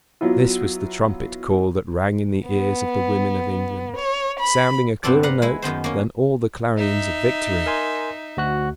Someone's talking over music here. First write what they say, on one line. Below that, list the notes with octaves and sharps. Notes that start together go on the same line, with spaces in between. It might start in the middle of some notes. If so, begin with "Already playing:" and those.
This was the trumpet call that rang in the ears of the women of England, sounding a clearer note than all the clarions of victory.
F#3 B3 E4 F4
B3
C#5
B5
G2 C3 B3 C4 A4 D5
B4 F5 F#5 A#5
G#3 E4
F#2 D#3 B3 C5
A#3 C#4
D#4 E5
A#4 G#5 C6
D2 F#4 F#6